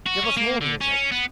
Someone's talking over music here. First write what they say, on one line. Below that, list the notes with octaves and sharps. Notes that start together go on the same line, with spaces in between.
Give us more music.
F#4
C#4
A#3
D3
C#4
B3